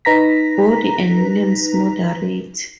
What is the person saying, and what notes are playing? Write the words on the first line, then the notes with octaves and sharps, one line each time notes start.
Body and limbs moderate.
D#4 B4 A#5 A#6 B6